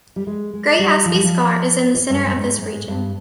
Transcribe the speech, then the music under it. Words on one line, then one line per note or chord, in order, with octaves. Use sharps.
Great Asby Scar is in the centre of this region.
G3
G#3
G#3
G3
F3
G3
F3
G2
G2
G#2
G#2
G2